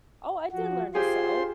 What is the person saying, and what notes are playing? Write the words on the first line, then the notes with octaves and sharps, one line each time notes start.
"Oh, I did learn to sew."
F3 F#4
F4 G4 G#4 C5 C6